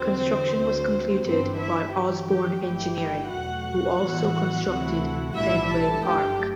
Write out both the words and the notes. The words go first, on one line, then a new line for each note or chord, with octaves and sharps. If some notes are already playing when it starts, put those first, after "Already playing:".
Construction was completed by Osborn Engineering, who also constructed Fenway Park.
Already playing: E2 D3 F#3 C4 C5
D2 D3 F#3 C4
G1 G2 E3 B3 C4 D4 C5
E4 E5
G2 E3 G3 G4 G5
G4 G5
G1 G2 F#3 A3 E4 G4 G5
E2 B2 F#3 A3 F#4 F#5
A2 E3 G3 B3 E4
D2 C3 E3 A3 E4
B1 A2 E3 G3 D4 E4 E5
A4 A5
G1 F#2 D3 A3 D4 G4 G5